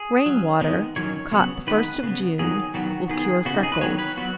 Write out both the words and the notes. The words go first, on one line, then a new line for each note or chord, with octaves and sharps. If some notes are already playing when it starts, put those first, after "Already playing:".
Rain-water caught the first of June will cure freckles.
Already playing: G#4
F#3 C#4
D#3 G#3 B3
D#3 F#3 C#4 C#5
C#3 F#3 B3
D#3 G#3 B3 B4
C#3 B3
D#3 F#3 B3 G#4
D#3 F#3 B3 F#4
D#3 B3 G#4
C#3 B3 F#4
D#4
G#4
B4
D#3 F#3 B3 C#5
B4
F#3 B3 F#4